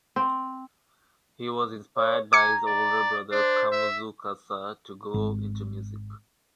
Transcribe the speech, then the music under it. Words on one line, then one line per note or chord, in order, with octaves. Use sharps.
He was inspired by his older brother Kamuzu Kassa to go into music.
C4
C#5
G#5 A#5 D6 C#7
D5
D4 C5
E5
G#1